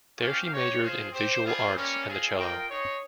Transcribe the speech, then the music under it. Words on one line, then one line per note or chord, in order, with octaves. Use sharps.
There she majored in visual arts and the cello.
C#4 G4 C5 F5
D#4 G4 C#5
F4 G#4 C5
C4 G4 C5
G3 C4 F4 G#4 C5
G3 A#3 C#4
G#3 C4 F4 G#4
F4 A#4 D#5 G5
D#4 G#4 C#5